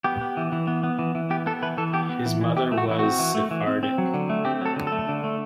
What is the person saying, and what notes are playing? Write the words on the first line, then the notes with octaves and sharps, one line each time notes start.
His mother was Sephardic.
B3 G4
B3
E3
E3
B3
B3
E3
E3
B3 G4
B3 A4
E3 B4
E3 A4
B3 G4
B3
E3
E3
E3 G4
A3
F#4
E3 E4
C4 F#4
E3
A3
E3
C4
C4
F#3
D3
A3
C4 G4
F#3 A4
D3
A3 A4
D3
A3